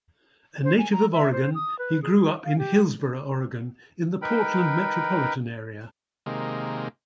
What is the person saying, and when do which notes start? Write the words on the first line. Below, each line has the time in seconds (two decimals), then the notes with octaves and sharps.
A native of Oregon, he grew-up in Hillsboro, Oregon, in the Portland metropolitan area.
0.64 C5
0.78 G#5
0.92 A#5
1.13 E5
1.33 C5
1.55 D#6
1.79 B4
2.02 G#4
2.45 F5
2.58 G4
4.22 D#4 A#4 B4 G5 B5
6.26 C3 D#3 G#3 A#3